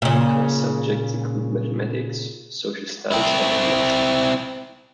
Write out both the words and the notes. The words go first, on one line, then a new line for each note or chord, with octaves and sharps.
Core subjects include mathematics, social studies and English.
A#2 C#3
C4 E4